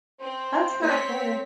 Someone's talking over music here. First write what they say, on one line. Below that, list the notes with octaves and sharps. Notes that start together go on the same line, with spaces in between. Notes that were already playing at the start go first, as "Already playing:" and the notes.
That's kinda cool.
C4 C5
C4 C#5 B6